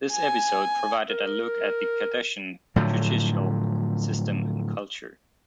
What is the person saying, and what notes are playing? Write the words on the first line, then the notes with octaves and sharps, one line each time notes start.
This episode provided a look at the Cardassian judicial system and culture.
G#5
A#4
A2 D3 F3 F#3